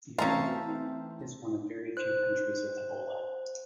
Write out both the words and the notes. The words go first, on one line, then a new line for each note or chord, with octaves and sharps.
Sierra Leone is one of very few countries with ebola.
E3 A3 C4 C#4 E5 F5 A5 A#5
C5 F#6